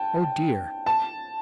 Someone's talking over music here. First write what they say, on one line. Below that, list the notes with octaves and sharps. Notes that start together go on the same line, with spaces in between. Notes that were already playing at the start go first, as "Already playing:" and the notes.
Oh dear!
Already playing: G5 A5
A5